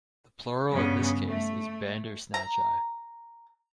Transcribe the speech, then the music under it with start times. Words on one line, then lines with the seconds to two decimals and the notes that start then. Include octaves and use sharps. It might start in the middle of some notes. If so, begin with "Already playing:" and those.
The plural in this case is bandersnatchi.
0.71 G2 C#3 B3
1.27 A3
2.34 A#5